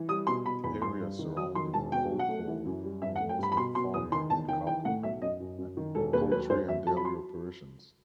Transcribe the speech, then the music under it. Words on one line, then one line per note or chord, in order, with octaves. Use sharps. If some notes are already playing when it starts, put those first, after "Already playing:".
The area surrounding Colcord is mostly farming and cattle, poultry and dairy operations.
Already playing: E3
G3 D#6
B2 C6
B2 B5
E2 B5
G2 C6
G2
D#3
F#3 D#6
D#3 C6
E1 A5
B2 G5
F#3
F#5
A3
E3
F#2
G3
G2 E5
F#5
A3
G5
G2 B5
B5
B2 C6
B2 C6
E2 D#6
D#3 C6
E2 A5
D#3 G5
E3 G5
A2 F#5
B1 E5
F#2 D#5
F#2
F#2
D#3
E1 A4
D#2 B4
F#3 B4
F#2 C5
F#3 E5
F#3 A5
B5
F#3 C6